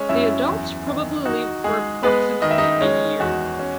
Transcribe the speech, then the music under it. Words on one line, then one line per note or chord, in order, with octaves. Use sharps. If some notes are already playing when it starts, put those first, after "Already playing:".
The adults probably live for approximately a year.
Already playing: G#3 C#4 C#5
F#2 E4 E5
E2
D#3
D#4 F#4
G#3 G#4
G#3 B3 B4
D#3 D#5
E5
D#4 D#5
G#3 C#4 C#5
E2 F#4
C#4